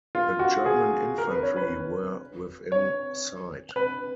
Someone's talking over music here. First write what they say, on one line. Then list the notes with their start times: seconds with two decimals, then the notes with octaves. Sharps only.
The German infantry were within sight.
0.15 F4
0.39 F#4
0.66 G#4
1.18 A#4
1.30 B4
1.43 C#5
1.56 B4
2.72 C#5
3.76 B4